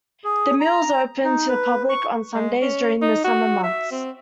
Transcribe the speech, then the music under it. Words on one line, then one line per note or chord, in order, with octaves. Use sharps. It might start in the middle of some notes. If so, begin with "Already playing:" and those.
The mill is opened to the public on Sundays during the summer months.
G#4
A#5
D#4
B4
C#6
G#3
C#4
D#4
F#4
E5
C4